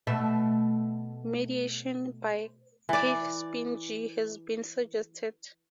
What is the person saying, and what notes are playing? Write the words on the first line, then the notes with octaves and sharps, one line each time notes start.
Mediation by cathepsin G has been suggested.
B2 A3 E5
E3 D5